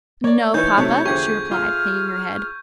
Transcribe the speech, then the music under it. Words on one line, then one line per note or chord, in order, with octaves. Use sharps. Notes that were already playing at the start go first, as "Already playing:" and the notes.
"No, papa," she replied, hanging her head.
A#3 C#5 D5
E3 D#4 B4 C#5 E5 G6
C3 F#3 A3
E2 D3 F3 G4 G#4 C#6 G#6
F4 G#4 F6